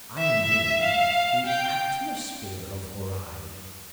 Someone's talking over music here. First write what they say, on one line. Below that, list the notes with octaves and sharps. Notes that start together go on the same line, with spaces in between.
I mean the atmosphere of Horai.
E5
F5
G5